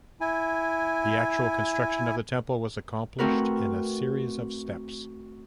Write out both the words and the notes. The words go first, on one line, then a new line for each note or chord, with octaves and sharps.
The actual construction of the temple was accomplished in a series of steps.
E4 G#5
A3 C4 F#4 A#4 B4